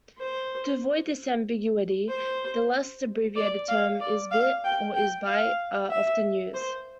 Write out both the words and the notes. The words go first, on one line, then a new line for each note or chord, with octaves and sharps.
To avoid this ambiguity, the less abbreviated terms "lsbit" or "lsbyte" are often used.
C5
C5
D5
F5
D5
F5
G5
G5
F5
E5
C5